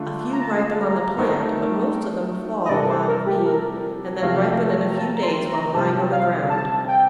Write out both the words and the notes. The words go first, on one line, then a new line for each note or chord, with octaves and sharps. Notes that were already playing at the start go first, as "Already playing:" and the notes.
A few ripen on the plant, but most of them fall while green, and then ripen in a few days while lying on the ground.
Already playing: D3 A3 D4 F4
A#5
A5
A#5
D#3 A3 C4 D#4 A#4
D#5
C3 G3 D4 A4 D5
C5
A#4
G4
A#4
C3 F3 A3 F5
A#5
A5
A#5
C6
A#5
C3 G3 C4 G4 A5
F5
A5
G5